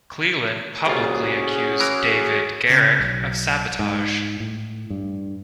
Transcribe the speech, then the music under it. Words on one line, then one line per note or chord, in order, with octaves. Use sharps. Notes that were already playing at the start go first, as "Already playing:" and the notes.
Cleland publicly accused David Garrick of sabotage.
C2 A#2 C#4 F4 F#4 G#4
E3 A#4
C#3
B1
G#2
A2
G2